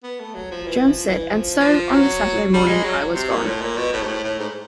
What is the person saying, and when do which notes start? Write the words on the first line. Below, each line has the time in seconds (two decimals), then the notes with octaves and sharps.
Jones said And so, on the Saturday morning I was gone.
0.03 B3
0.20 A3
0.34 F#3
0.51 F3
0.66 E3
0.87 F3
1.08 E3
1.29 F3
1.60 F3
1.90 F#3
2.53 G3
2.68 G#3
2.84 F#3
3.15 C3
3.31 A#2
3.45 A2
3.61 A#2
3.77 B2
3.93 A2
4.02 G#2
4.08 A2
4.24 A2
4.39 G#2